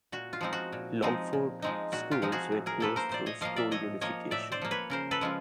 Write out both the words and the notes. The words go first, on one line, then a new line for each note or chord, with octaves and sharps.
Longford schools were closed through school unification.
A#2 F#4
F4
F3 G#3 C4 D#4
F#4
A#2
F3 G#3 C4 D#4
A#2
F3 G#3 C4 D#4
A#2 F#4
F4 G4
F3 G#3 C4 D#4
F#4 G#4
A2
G#4 A#4
F3 A#3 A4 B4
A#4 C5
A2 C5 D5
C#5 D#5
F3 A#3 D#5 F5
D5 E5
A2 C#5 D#5
F3 A#3 C#5 D#5
A2 D5 E5
C5 D5
F3 A#3
B4 C#5
C#3 A#4 C5
A4 B4
F3 G#3 C#4 F4